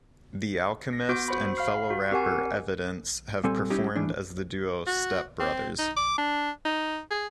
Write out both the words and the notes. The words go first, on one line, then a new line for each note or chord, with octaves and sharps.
The Alchemist and fellow rapper Evidence have performed as the duo Step Brothers.
A#6
B3 F#4 D6 G6 D7
F#4 C5 B5
F5 B5 F6 C7
F#4
C4 G4 A#4 F#5 G#5
A#2 G3 C4 A4 G#5
G3 C#4 D#4 E4 G4
A2 E3 D4
F#4
C4
D#4
D6
D4
D#4
G#4